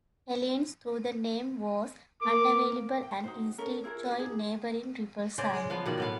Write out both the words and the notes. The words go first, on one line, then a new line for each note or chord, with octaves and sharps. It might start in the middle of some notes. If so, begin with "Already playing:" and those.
Helens', though the name was unavailable and instead joined neighbouring Rippleside.
A#3 D6
G5
D#4 F#4 C5
C#4 A4 A#4
E4 F4 G#4 A#4
D4 F#4
D#4 G#4
C#3 G#4 C5 D5
G#3
F3 B3 F5
B2 D#3 D5 F#5
A2 B3 F5